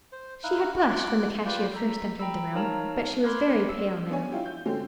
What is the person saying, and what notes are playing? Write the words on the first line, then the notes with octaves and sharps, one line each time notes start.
She had blushed when the cashier first entered the room; but she was very pale now.
C5
D#4 E4 F5 F#6
D6 F#6
F4 G4 B4 D5 G5
A4 A#5 B6
G5 A#5 B5 E6
D#4 A#4 C#5 F5 A5 A#5
B5 C6 D6 F6 F#6 G#6
E6
B3 C#4 D4 C#5 G#5
E4 F4 G4
G6
D3 G#3 A3 C4 C#4 G4